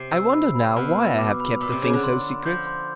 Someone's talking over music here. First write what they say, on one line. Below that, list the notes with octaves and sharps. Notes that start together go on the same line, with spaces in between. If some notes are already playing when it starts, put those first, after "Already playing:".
I wonder now why I have kept the thing so secret.
Already playing: C3 C7
E6
B5
B5
B2 F6
B5
D6
B5
A#2 D6
C3
C#3 D6
D3
C6
C6
F3 G6
C6